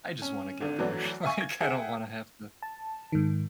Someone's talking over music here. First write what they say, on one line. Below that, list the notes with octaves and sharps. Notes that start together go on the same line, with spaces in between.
I just wanna get there, like, I don't wanna have to,
C#4
G#1 D3
E3 F#3 A3 B3 D4
E5 F5 G#5 C#6
G#6
G#4 E5 F#5 G5
A5
G#2 D#3